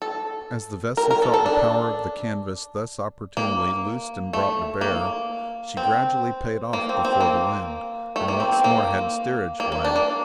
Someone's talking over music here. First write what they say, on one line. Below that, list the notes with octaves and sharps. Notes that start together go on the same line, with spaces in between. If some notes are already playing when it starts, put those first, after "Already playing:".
As the vessel felt the power of the canvass thus opportunely loosed and brought to bear, she gradually paid off before the wind, and once more had steerage way.
A4
A#4
A#4
A4
A4
D4
A#3
A3
A#3
C4
A#3
C4
C4
A#3
A3
A#3
C4
C4
A#3
A#3
A#3
D4
A#3